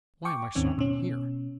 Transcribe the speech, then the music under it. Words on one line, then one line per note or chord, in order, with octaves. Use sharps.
"Why am I stopping here?"
G5 C#6 D6
D#2 G#2 D#3 C4 C#4
B2 C#4